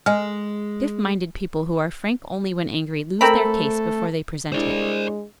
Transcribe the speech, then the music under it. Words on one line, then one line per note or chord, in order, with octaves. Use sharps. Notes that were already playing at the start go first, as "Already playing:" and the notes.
Stiff-minded people who are frank only when angry lose their case before they present it.
G#3 D#5 G#5 F6
A3 C4 A4 A#4 B5
G#3 D4 E4 C5 D5